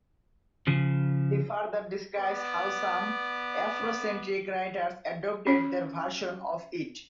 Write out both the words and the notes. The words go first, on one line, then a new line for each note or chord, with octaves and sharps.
He further describes how some Afrocentric writers adopted 'their version' of it.
C#3 F3
B3 D5
C#4 C#5